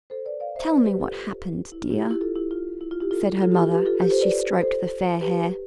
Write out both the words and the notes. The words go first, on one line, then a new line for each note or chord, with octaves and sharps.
"Tell me what happened, dear," said her mother, as she stroked the fair hair.
A4 C5
B4 D5
D5 F5
C5 E5
B4 D5
C5
G4 B4
F4 A4
E4
F4
E4 G4
F4
E4 G4
F4 A4
E4 G4
F4
E4
F4
E4 G4
F4 A4
F4 A4
G4
F4 A4
G4 B4
F4 A4
G4 B4
A4 C5
B4 D5
A4 C5
G4 B4